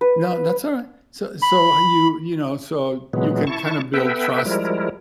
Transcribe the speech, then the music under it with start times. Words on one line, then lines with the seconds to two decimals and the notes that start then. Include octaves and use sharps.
No, that's alright. So so, you, you know, so, you can kinda build trust,
0.01 B4
1.42 B5
3.13 A#2 E3 F#3 G#3 B3
3.47 E4 A5 C#6
3.94 B3 A4 B4 E5 G5
4.45 F3 G3 G#3 E4 A#4